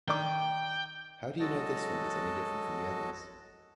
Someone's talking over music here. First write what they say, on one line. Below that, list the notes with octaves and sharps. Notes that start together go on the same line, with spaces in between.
How do you know this one is any different from the others?
D#3 D5 G5 D6
F#3 G#3 F#4 A4 D#5 A5